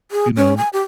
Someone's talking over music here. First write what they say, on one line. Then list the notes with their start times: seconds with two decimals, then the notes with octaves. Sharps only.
you know,
0.11 G#4
0.37 C#4
0.57 G#5
0.73 G4